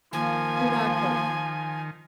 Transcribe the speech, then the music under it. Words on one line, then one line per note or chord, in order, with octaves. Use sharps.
you're not going
D#3 F3 A#3 G#5